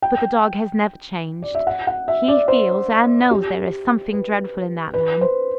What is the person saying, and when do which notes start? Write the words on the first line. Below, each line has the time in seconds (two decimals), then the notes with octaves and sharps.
But the dog has never changed; he feels and knows there is something dreadful in that man.
0.02 G5
1.42 D5
1.55 E5
1.67 F#5
1.87 F#5
2.08 E5
2.28 D5
2.48 C5
3.31 G4
4.12 B4
4.94 B4
5.21 C5